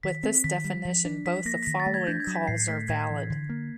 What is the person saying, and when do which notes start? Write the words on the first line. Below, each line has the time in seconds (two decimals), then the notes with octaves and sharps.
With this definition, both the following calls are valid.
0.03 D#3 B6
0.23 C4
0.44 D#3 B6
0.64 G3
0.85 F3
1.05 D4
1.26 F3 B6
1.45 A#3 A#6
1.63 B6
1.66 D#3 A#6
1.80 A6
1.86 A3
1.94 G#6
2.07 D4 G6
2.20 G#6
2.27 F#3
2.35 B6
2.47 A2 C7
2.68 A3 B6
2.88 A2 G#6
3.09 E3
3.30 D3
3.50 A#3